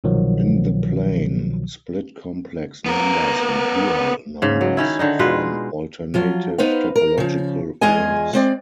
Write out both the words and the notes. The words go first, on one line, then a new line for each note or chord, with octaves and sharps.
In the plane, split-complex numbers and dual numbers form alternative topological rings.
C2 B2 D#3 F3 F#3
B3 A#4
G#2 C#3
F#3
D#3 C#4 E4
D3 D#3 D#4
B2 G#3 F4 B4
F3 F#3 F4
B3 D#4 B4 C5 F5
A#4
C#3 F3
E2 G#3 F4 G#4 D#5 G#5
G#3 C4 D5